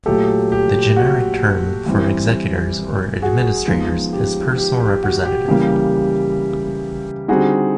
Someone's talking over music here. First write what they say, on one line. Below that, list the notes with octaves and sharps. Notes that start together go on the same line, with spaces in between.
The generic term for executors or administrators is personal representative.
A#2 F#3 A3 G4 A4
G4
F#4
E3 G3 C4 E4
F#4 G#4
F3 G#3 B3 D#4
G4
G4
G4
F#4
G4
C#3 E3 G3 A#3 G4
D3 G3 C4 D#4 F#4 G#4